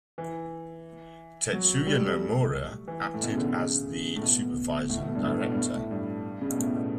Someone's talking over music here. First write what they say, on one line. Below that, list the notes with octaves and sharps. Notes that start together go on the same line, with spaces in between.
Tetsuya Nomura acted as the supervising director.
E3
F#3
G3
A3
E3
A2
B2
C#3
D3
C#3
A2
B2
A2
B2
A2
G2
A2
B2
G2
A2
A2
G2
C#3
B2
A2
B2